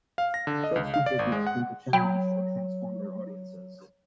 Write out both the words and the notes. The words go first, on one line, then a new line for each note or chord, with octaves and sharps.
Such speakers may attempt to challenge or transform their audiences.
F5
A#6
D3
D#5
C#2
F5
D5
G#1
G#3
F#5
F#3 G5 B5